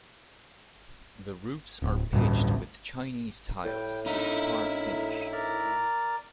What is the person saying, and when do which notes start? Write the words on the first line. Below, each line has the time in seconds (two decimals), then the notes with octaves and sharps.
The roofs are pitched with Chinese tiles with tar finish.
1.82 D1
2.13 A1 D2 G2
3.65 A2 G3 G5
4.06 A3 D#4 E4 A#4
5.32 A#4 D5 A#5